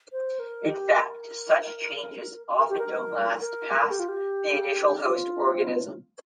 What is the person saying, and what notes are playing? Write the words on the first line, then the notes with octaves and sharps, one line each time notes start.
In fact, such changes often don't last past the initial host organism.
C5
A#4
G4
A#4
A#4
G4
A#4
A#4
A#4
G4
F4
G4
F4